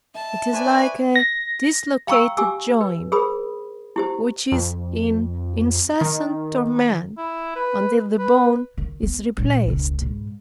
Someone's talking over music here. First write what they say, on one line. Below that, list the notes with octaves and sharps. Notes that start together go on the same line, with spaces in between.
It is like a dislocated joint, which is in incessant torment, until the bone is replaced.
E5 A5
B4 C5 D5 G#5 C#6
A#6
F5 G5 A#5 C#6 E6
G4 G#5 D6 E6
B4
G#4 A#4 C5 B5 D#6
E4 G4 C5
F2
D#3
E4
B4
B4
D#3
B3
A#1 D#2
E1 C#2
G#2 B2